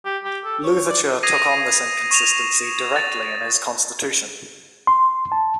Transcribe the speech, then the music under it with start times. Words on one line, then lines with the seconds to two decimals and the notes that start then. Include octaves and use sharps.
Louverture took on this inconsistency directly in his constitution.
0.05 G4
0.24 G4
0.44 A4
0.64 C#5
0.90 D5
1.23 D#6 G#6 A#6 C7 D#7
2.11 C#6 E7 F7
2.96 A6
4.87 C6
5.32 A5